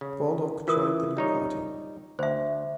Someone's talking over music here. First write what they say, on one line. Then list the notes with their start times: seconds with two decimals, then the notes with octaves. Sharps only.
Baldock joined the new party.
0.01 C#3
0.68 E3 F4 A#4 D#6
1.17 G3 D#4 C#5
2.19 D2 C5 E5